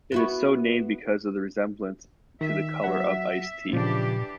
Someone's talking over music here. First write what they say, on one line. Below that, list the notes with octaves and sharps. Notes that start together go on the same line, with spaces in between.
It is so named because of the resemblance to the color of iced tea.
B3 E4 F#4
D#3 E5
F#3 F#5
A#2 C#3 E3 F3 D4 G4